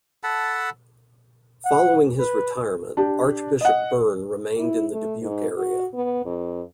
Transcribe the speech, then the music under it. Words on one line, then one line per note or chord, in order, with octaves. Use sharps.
Following his retirement, Archbishop Byrne remained in the Dubuque area.
A4 F#5 A5 B5
F#5
B4
D4 G4
D#5 F#5
E4
A3
G#2
F#4
B3
F2